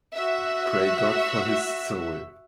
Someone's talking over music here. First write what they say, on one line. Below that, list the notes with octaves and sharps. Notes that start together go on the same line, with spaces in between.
"Pray God for his soul.'".
F#4 E5